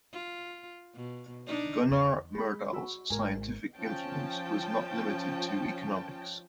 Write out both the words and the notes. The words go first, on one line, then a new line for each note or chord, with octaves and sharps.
Gunnar Myrdal's scientific influence was not limited to economics.
F4
B2
D4 D#4
E2
G#3 G#4 B5
F#4 B5 E6
G#1 A#4 G#5
F3 C#4 G5 A5